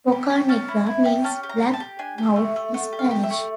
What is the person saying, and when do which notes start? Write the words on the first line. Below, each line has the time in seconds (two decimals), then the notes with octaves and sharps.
"Boca negra" means "black mouth" in Spanish.
0.12 G4
0.30 G4
0.49 C#4 A5
0.68 E4
0.86 E4
1.05 G4
1.24 C#4 A5
1.43 G4
1.49 A#5
1.62 G4
1.74 A5
1.80 G4
1.99 D4 G#5
2.18 G4
2.36 A3
2.56 A3
2.74 A3 F#5
2.93 G4
2.99 F5
3.11 G4
3.23 E5
3.30 A3